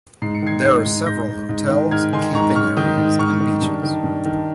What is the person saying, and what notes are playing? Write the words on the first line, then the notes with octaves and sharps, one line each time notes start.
There are several hotels, camping areas and beaches.
G#2 C7
C#7
D#3 G#6 C7
G#2 G#6 C7
G#2
G#2 G6 A#6
G#2
G#2
D#3
G#2 F6 G#6
D#3 G#5 C6
G#2 A#5 C#6
G#2 C#6 F6
D#3 D#6 G6
G#2
G#2 C#6 F6
D#3
G2
D#3
G2
D#3